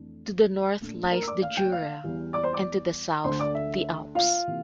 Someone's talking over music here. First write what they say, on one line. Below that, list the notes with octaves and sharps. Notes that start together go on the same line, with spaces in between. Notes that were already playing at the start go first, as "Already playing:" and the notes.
To the north lies the Jura and to the south the Alps.
Already playing: F2 E3 A3 D4
A#2 A3 D4
A#4 A#5
E6
D5 D6
F5 F6
G5 G6
F5 F6
E2 E3 G3
D5 D6
C5 C6
D5 D6
D2 D3 A3 D4 C5 C6
D5 D6
E5
F4 F5
C3 E3 A#3